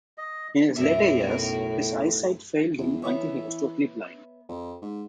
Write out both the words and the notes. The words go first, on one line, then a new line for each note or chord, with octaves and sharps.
In his later years his eyesight failed him until he was totally blind.
D#5
B1 F#2 A2 F#4 A#4 E5
E2
E3 B3 C#5 E5
F2
G#2